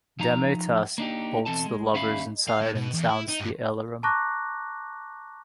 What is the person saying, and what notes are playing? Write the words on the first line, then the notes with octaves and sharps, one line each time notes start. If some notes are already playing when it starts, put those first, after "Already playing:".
Dametas bolts the lovers inside and sounds the alarum.
F3 D#4 A#5
A#3 D4 D#4 G4
B2 E3 C4 A4 A5
G#3
D#2 G3 C#4 E5 F5 B5
F5
A2
B2
E2
E4
D#4
G2
A5 A#5 C#6 D6 F#6 A#6